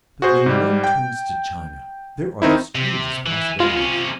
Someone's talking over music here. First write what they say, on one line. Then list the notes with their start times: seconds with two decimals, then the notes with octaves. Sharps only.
But when one turns to China there are the strangest possibilities.
0.22 F#4 G#4 C5
0.46 G#2 G3
0.84 G5
2.42 D#3 C4 D#4 E4
2.76 C3
3.27 E3
3.60 G#3 B3 F4
3.77 C3 C#4